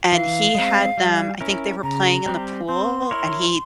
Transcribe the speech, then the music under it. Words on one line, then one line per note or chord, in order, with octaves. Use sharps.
and he had them I think they were playing in the pool, and he
E3 F5
G#3 C4
G3
C#4 E4 A#4
C#3 A#5
G3 C4 G4
C4 C6
E4 A#4 C#5